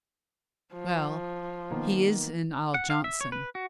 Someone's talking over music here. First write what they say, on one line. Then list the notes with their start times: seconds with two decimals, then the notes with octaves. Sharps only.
"Well, he is in Isle Johnson."
0.73 F3
1.70 D#3 A#3 B3
2.74 F#5
2.90 F5
3.04 E5
3.21 C#5
3.32 B4
3.55 F#4